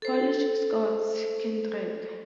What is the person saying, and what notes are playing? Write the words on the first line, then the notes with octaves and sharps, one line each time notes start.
Polish Scouts kindred!
A4 C5